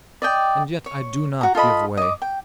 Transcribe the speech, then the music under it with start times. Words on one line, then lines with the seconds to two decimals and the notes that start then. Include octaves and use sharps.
And yet I do not give way.'
0.22 D5 D#5 G5
0.86 C#5
1.41 F#4 A#5
1.55 F4 A4 D#5 B5
1.97 D#5 D6
2.22 G5